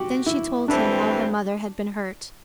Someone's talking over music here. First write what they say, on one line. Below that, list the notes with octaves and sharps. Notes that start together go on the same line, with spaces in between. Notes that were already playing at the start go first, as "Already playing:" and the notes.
Then she told him how her mother had been hurt.
Already playing: F#4 G4
E4
G2 E3 A3 C4 D4